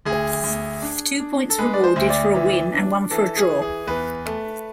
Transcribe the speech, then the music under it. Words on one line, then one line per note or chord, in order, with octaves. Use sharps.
Two points are awarded for a win and one for a draw.
D2 G#4
D2
D4
D4
A4
G#3 B4
D5
C5
D2
D5
E3
D4
E3 A4
G#4
E3
G#4
E2 B4
A3